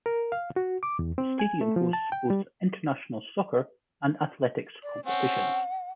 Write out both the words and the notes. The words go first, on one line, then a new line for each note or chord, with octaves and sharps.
The stadium hosts both international soccer and athletics competitions.
A#4
F5
F#4
D6
E2
C4
G#5
A3
F3
A5
G5
G3
D5
C4 C#4 F#5